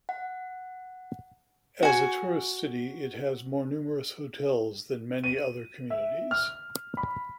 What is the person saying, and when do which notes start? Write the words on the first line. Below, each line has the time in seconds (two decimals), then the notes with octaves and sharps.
As a tourist city, it has more numerous hotels than many other communities.
0.09 F#5
1.83 F#4 G#5
5.24 D#7
5.90 E5
6.31 F6
6.97 B5